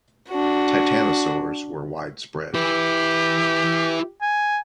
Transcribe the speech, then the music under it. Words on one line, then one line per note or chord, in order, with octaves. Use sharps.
Titanosaurs were widespread.
D4 F#4
E4 G4 B4
G#5